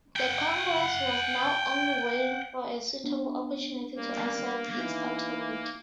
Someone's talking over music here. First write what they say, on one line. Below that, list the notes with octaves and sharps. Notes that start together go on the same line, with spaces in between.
The Congress was now only waiting for a suitable opportunity to assert its authority.
F#5 G5
B3 D4
G3 A#3 A#4
E3 D#4